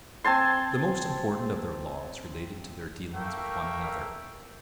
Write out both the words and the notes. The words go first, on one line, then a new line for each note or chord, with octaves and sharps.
The most important of their laws related to their dealings with one another.
C4 G#5 A5 C6
A3 A#3 A#4 E5 G5 C#6